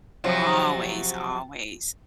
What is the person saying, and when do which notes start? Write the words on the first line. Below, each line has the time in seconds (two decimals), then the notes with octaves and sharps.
Always, always.
0.24 C3 F3 F#3